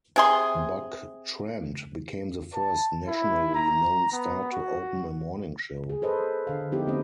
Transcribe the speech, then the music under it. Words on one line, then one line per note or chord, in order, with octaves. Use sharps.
Buck Trent became the first nationally known star to open a morning show.
C3 G#4 C6
A5
E4
A#5
B3
F#4
G#4
A4 B4 C5 D#5
D3 F5
F3 B3 D#4 E4 G4
D3 A3 C4 D#5